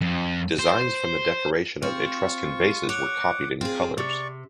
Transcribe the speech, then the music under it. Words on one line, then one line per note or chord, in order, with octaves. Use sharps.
Designs from the decoration of Etruscan vases were copied in colors.
F2
C5
C4 F4 C#6
C#5 F#5 D6
C4 F4 G#4
C3 D5 C#6